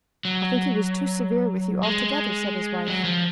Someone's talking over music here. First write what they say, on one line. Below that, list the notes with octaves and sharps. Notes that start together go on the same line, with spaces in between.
"I think he was too severe with you altogether," said his wife.
F#3
G#3
F#3
F3